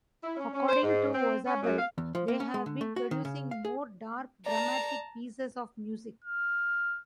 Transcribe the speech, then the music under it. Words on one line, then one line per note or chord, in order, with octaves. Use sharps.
According to Orzabal, they have been producing more dark, dramatic pieces of music.
E4
C#4
C#4
C5
G#2
C4
C#4
F#2
F5
E2
F3
A#3
C#4
G#3
D3
A3
F#4
D#3
C#3
F5
G#4
D5 A5 A#5
F6